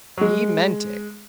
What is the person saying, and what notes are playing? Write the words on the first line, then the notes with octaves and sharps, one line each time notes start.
He meant it.
F#3
G#3